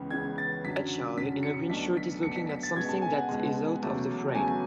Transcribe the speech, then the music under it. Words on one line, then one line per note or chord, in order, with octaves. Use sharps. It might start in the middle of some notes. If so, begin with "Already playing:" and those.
A child in a green shirt is looking at something that is out of the frame.
Already playing: C#2 C#3 E3 B3
C#2 C#3 E3 B3 G#6
A6
F#2 D3 F#3 B6
F#2 D3 F#3 B6
C#7
B1 B2 A3 D4 B6
B6
B1 B2 A3 D4 C#7
B6
B6
A6
C#2 B2 G#3 G#6
A5
G#5
F#5
C#2 B2 G#3
E2 C#3 F#3 A3
E2 C#3 F#3 A3 G#5